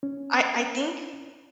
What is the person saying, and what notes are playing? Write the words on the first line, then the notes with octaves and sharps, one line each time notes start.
I I think
C#4